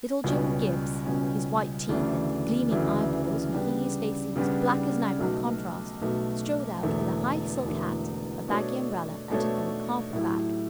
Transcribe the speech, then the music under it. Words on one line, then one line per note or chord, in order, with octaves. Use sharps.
Little Jim Gibbs, his white teeth and gleaming eyeballs making his face seem as black as night by contrast, strode out with a high silk hat, a baggy umbrella, and an old carpet-bag.
C#2 B2 G3 C#4
C#2 B2 G3 C#4
D2 C#3 E3 A3 D4
D2 C#3 E3 A3 D4
C#3 G3 B3 D4 G4
C#3 G3 B3 D4 G4
B1 B2 A3
B1 B2 A3
E1 E2 D3 A3
E1 E2 D3 A3
B2 A3 D4 A4 C#5
B2 A3 D4 A4 C#5
A2 F#3 A3 E4 G4